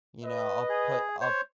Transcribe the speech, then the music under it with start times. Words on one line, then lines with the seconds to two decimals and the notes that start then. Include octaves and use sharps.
you know, I'll put I'll
0.24 B4 D#5
0.69 G#4
1.21 C5 C#5